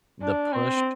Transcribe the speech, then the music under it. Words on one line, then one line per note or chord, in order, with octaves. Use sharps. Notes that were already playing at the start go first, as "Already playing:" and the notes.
The push
D4
C4